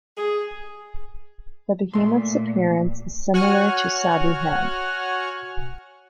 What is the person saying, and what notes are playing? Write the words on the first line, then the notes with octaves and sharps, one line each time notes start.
The Behemoth's appearance is similar to Sadu-Hem.
G#4
A#2 A3 C6
F#4 C#5 F#5 G#5 F6